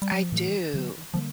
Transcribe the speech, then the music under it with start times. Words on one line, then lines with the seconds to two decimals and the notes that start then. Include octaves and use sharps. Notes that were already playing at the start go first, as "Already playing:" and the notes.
I do.
0.02 G3
0.12 F#3
0.23 F3
0.32 A2 E3 F#3 A3
0.74 D3 F#3 B3
1.14 D3 F3 G3 A#3